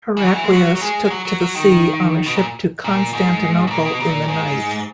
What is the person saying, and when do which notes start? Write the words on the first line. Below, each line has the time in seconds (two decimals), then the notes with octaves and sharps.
Heraclius took to the sea on a ship to Constantinople in the night.
0.17 E3
0.25 F#3
0.35 E3
0.44 G#3
0.53 F#3
0.75 F#3
0.82 G#3
1.05 G#3
1.10 F#3
1.25 F#3
1.40 F#3
1.55 D#3
2.26 B2
2.36 A#2
2.84 A#2
3.13 G#2
3.67 B2
3.71 A#2
3.85 B2
4.00 A#2
4.28 G#2